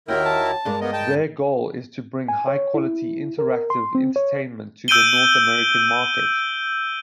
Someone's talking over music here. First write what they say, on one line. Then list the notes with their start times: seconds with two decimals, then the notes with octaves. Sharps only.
Their goal is to bring high-quality interactive entertainment to the North American market.
0.08 D#2 D#3 E4 F#4 G4 A#4 G5
0.26 A5
0.65 G2 G#3 D4 A#4
0.81 A#3 B3 D#5
0.93 G5 A5
2.28 G#5
2.48 C#5
2.74 E4
3.39 A#4
3.70 C6
3.95 C4
4.16 C#5
4.88 E6 G6 D7 D#7 G7